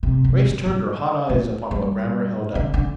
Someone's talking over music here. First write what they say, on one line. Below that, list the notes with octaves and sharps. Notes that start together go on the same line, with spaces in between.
Grace turned her hot eyes upon what Grammer held up.
C3
C3
D3
G3
A3
G3
D3
D3